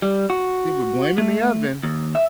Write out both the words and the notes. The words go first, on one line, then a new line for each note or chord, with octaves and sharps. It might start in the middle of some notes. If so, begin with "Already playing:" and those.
see, we're blaming the oven.
G3
F#4
A3
D#2
E5